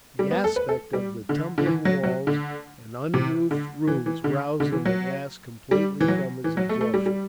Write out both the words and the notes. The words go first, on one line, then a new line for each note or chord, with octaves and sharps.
The aspect of the tumbling walls and unroofed rooms roused him at last completely from his absorption.
G3
B3
A4
B4
A4
G3
D3
D3
E3
F#3
F#3
D3
C3
D3
E3
E3
D3
D3
E3
F#3
G3
E3
F#3
E3
F#3
A3
A3
G3
G3